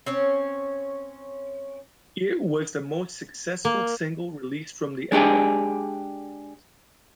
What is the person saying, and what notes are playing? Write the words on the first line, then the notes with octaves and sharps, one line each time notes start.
It was the most successful single released from the album.
C4 C#4 C#5
A#3
G#3 D4 G4 G#4